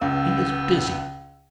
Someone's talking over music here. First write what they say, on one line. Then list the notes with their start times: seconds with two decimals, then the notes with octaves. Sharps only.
"He is busy."
0.01 C#2 B3 F5 G5 E6